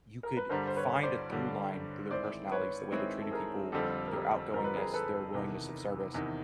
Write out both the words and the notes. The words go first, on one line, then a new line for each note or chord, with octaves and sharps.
you could find a through line through their personalities, the way they treated people, their outgoingness, their willingness of service.
A#4
B4
G2 D3 G3 A#4 C5
C5
B4 C#5
C5 D5
G2 D3 G3
D#3 G#3 C4 E4 C5 D5
B4 C#5
D#3 G#3 C4 E4 B4 C#5
A4
G#4 A#4
F2 D3 G3 C4 F4 G4 A4
A#4
G4 A4
F2 D3 G3 C4 F4 A#4
B4
G#4 A#4
A4 B4
E2 C3 D#3
E2 C3 D#3